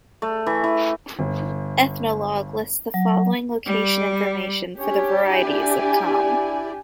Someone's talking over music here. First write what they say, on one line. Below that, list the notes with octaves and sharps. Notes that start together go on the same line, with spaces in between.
"Ethnologue" lists the following location information for the varieties of Kham.
A3
E3
E3
G1
F#3
G3
C#4 D4 G4 C#5
E4 D5 G#5